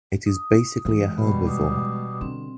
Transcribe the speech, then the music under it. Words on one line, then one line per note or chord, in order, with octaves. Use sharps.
It is basically a herbivore.
D#6
E3 G#3
B2 G3 B5
D6 D#6
D3 C4